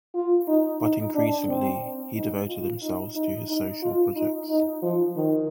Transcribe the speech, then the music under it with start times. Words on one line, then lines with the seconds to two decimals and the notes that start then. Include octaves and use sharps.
But increasingly he devoted himself to his social projects.
0.15 F4
0.48 D#4
0.81 D#4
1.15 D4
1.49 C4
2.15 D#4
2.49 F4
2.82 D#4
3.15 D#4
3.49 D#4
3.82 F4
4.16 D#4
4.49 D#4
4.82 F3
5.16 D#3